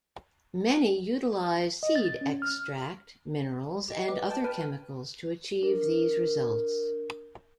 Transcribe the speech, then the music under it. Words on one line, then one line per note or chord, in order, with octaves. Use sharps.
Many utilize seed extract, minerals, and other chemicals to achieve these results.
D#5
A6
C#4
F6
G4 D#5 G5
B4 D6
G5 A5
B4 G5 A5 F6 D7 D#7
D4 A#4